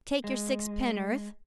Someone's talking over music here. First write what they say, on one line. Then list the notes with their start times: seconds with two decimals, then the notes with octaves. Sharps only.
Take your sixpenn'orth.
0.24 G#3